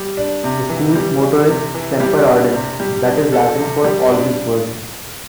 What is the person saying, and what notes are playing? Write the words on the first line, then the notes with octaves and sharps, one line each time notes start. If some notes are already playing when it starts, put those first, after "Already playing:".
The school's motto is "Semper Ardens", this is Latin for always burning.
Already playing: G3
D4
C3
E3
G3
D4
C3
E3
G3
D4
C3
G3
D4
A4
C3
G3
D4